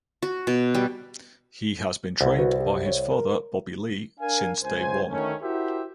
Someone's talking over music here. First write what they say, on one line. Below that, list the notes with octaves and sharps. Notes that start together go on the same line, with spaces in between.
He has been trained by his father Bobby Lee "since day one".
F#4
B2
G3
C2
F#4 B4
G4
C#5
A#4
D4 A#4 F5 G#5
C#2 C5 G#5
D2 D#3 A3 C#4
E4 F#4 G4 A#4 C5 E5